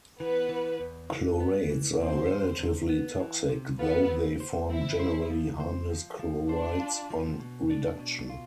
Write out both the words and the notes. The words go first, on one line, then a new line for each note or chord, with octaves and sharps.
Chlorates are relatively toxic, though they form generally harmless chlorides on reduction.
E3 B3 B4
E3
E2
E3
B3
E3
E3 C4 C5
E2
E2
B3
E3
C3
B3 F4 B4
C4
C5
C4 E4
C5
F3
C5
F3
F3
D4 C5
F4
F3
B2
D4
B2
F4